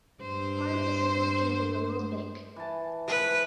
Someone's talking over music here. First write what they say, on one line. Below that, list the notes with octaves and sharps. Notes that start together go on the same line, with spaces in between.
Part of the support came from the World Bank.
G2 C5
E3 A5
G#2 B4